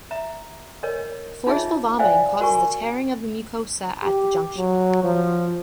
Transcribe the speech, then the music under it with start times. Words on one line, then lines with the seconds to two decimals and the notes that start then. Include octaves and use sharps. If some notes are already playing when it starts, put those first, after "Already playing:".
Forceful vomiting causes tearing of the mucosa at the junction.
0.11 E5 A#5
0.83 A#4 C#5 D#5
1.47 D#4 F4 G#4 C#5 D#5 E5
1.99 C5 D5 E5 F5 G5 G#5
2.41 F#4 A#4 G#5 C#6
4.03 G4
4.57 F#3
5.04 F3